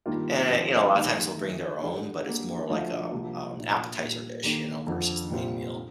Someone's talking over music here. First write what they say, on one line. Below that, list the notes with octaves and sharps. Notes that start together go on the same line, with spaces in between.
And, eh, you know, a lot of times, they'll bring their own, but it's more like a, um um, appetizer dish, you know, versus the main meal.
G2 D#3 G3 A#3 F4
D#2 D3 F3 C4
D#3 G3 A#3 D#4 A#4
D#3 A3 D#4
D2 D3 G3 D4 A4
D3 G3 A#3
D2 D3 F3 A3 D4
C2 C3 F3 A#3
A#2 A3 D4
A#2 G3 D4
D#2 D#3 A#3 D4 A4
F2 D3 F3
C2 A#2 G3 C4 F4
D3